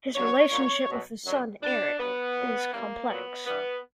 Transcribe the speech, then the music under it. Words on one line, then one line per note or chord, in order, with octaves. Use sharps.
His relationship with his son Eric is complex.
G2 D3 F#3 C#5
A#2 F#3
B2 F#3
F#2 D3 F#3
A#2 G3 D4
G2 F#3 B3
A#2 F#3
F#2 E3 G3 A#3
A#2 F#3 B3
G2 E3 G3 B3